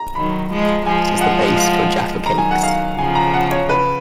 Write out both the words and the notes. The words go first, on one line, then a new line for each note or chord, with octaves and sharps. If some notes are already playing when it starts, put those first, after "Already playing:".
It is the base for Jaffa Cakes.
Already playing: A#5
D#3 F#3 B5
F3 G#3
F3 G#3 G#5
F#5
F5
D#3 F#3 A#5
G#5
F#5
F5
C#3 F3 G#5
A#5
F#5
C#5
C#3 B4